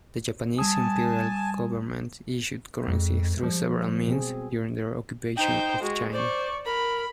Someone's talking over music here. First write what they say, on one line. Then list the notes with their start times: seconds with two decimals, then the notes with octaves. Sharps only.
The Japanese Imperial Government issued currency through several means during their occupation of China.
0.58 G3 G#5 A5 D#6
2.88 F2 G#3
3.43 F3 G3
4.08 B2 C4 G#4
5.37 D#4 C5 G5
5.82 G#3 F#4
6.13 C5 D5 C#6
6.66 A#4 B5